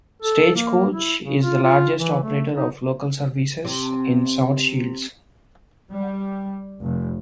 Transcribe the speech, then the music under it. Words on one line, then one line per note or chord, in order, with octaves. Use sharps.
Stagecoach is the largest operator of local services in South Shields.
A4
A#3
E4
C#3
F4
F4
E3
A3
D#4
C3
G3
F1